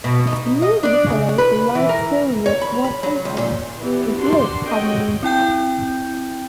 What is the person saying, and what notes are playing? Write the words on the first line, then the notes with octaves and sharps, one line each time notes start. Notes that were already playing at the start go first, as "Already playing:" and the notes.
The movie follows the life story of one infant, whose lip hadn't been tapped.
B2
D#4
D#5
D4
C#3
B4
E3
A#4
C#5
B5
B5
F#3
C#2
A#2
E3 B3 G4
D4 F#4 G4 A#4 C6
C4 F#4 A4 C#5 D#5 G5
C4 E4 G5 G6